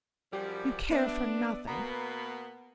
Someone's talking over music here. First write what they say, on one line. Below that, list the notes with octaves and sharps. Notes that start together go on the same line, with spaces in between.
You care for nothing.
F#2 F3 G3 G4
B3 D4 D5 E5
B2 A#3 B3 A#5